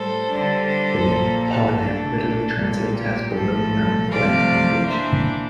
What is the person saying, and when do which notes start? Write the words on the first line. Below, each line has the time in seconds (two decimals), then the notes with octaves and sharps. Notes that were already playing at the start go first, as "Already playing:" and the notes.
The name Podhale literally translates as "below the mountain glen" in English.
Already playing: A2 G3 A4 C5
0.29 D3 G3 D4
0.67 A4 C5
1.05 A#2 F3 A#3
1.44 A4
1.82 E3 A3 D4
2.20 A4
2.58 A#2 G3 A#3
2.96 G4
3.34 A2 F3 A3 A4
4.10 C3 F3 A3 C4 D5 F5
4.87 E3 A#3 D4 C5 E5